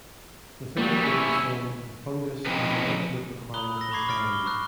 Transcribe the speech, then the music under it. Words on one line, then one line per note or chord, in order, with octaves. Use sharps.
Within the phagosome the fungus has an absolute requirement for thiamine.
F#3 G3 A#3
C#4 E4 E6
F3 C4 C#4 D#4 G#4 B4
A#5 B5 D#6 F#6 G7
E6 A#6
A#5 B5 C#6 D6 G#6 C7
C#6 D6 F6 A6 C7 D7
G7
A#5 C#6 E6 F#6